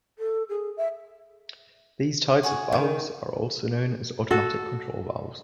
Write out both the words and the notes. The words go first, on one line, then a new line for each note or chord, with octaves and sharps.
These types of valves are also known as Automatic Control Valves.
A4
G#4
E5
F#4 G#4 C#5
D#3
F#4 A4